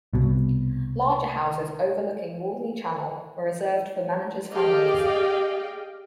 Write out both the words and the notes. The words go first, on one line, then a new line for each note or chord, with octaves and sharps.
Larger houses overlooking Walney Channel were reserved for managers' families.
C2 B2
G4 G#4 D5 D#5 F5 G5